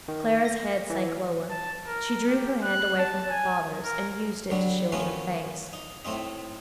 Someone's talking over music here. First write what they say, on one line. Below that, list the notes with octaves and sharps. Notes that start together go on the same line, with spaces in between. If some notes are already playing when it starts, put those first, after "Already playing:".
Clara's head sank lower; she drew her hand away from her father's, and used it to shield her face.
D#3
A#6
E3
A5
A#4
G4
F#6
A5
G#5
A#4
D3 F#3 G3 D4
D#3 F3 A3 B3 C#4 F#4
D#4
A2 A3 C4 D#4